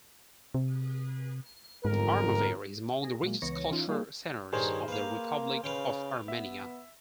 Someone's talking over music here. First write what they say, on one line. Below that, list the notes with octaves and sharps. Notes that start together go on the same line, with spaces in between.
Armavir is among the richest cultural centres of the Republic of Armenia.
C3
G1 F2 G#2 A#4
G#4 A#6
A#2 F#3 G#3 A#3
C#2 E3 B3 C#5 A#6 C#7
E3 C#4 D#4 F4
G3 A#3 D#4 F4 G#4
G2 D#3 A#3 C#4 G#4 A#4 C5
A#3 B4 F5
C#3 B4 F5 G5
B3 E5